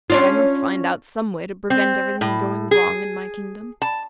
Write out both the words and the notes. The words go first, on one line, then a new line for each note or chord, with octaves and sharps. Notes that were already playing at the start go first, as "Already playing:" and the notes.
But I must find out some way to prevent every thing going wrong in my kingdom.
C#4 D4 F4
C4
A2
G#4
A5